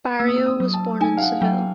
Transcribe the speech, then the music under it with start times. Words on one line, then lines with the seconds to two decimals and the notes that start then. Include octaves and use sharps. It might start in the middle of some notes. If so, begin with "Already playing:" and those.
Barrio was born in Seville.
0.19 A#3 E6
0.27 D#6
0.36 E6
0.46 D#6
0.60 F#3
0.73 A5
1.00 D#4 G#5
1.17 F5
1.22 F#5
1.41 F#3 G5